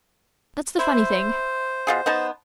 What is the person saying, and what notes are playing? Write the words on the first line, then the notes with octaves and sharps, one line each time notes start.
That's the funny thing.
E4 C5
B2 F4 G#4
B3 D#4 A5